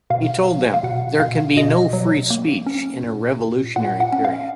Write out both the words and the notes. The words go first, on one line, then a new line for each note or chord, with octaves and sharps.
He told them: There can be no free speech in a revolutionary period.
B2 F5
F#3
F5
B2 F#5
B2 F5
B2 D#5
F#3
A#3
C#4
A#2
A#2
A#2 F#5
F#5
C#4
F5